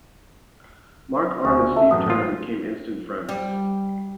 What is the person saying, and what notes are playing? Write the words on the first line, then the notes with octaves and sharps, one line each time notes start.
Mark Arm and Steve Turner became instant friends.
D2 C5 G#5 C#6
A4 E5
A1 F#2 D#6
A1 F4
G3